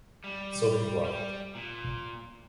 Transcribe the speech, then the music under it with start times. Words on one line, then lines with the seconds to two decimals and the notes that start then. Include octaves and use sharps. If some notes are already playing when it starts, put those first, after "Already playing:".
So he left.
0.24 G3
1.05 G3
1.55 A#2